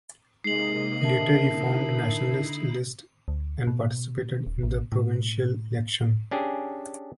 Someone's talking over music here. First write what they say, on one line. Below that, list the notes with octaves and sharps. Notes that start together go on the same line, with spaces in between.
Later he formed Nationalist List and participated in the provincial election.
C3 G#3 A#3 D#4 D#5 C7 F#7
D3 A#4 E5 A5
D#4 E4
D2
B2
D#1
A1
A2
C#4 D4 G4 G#4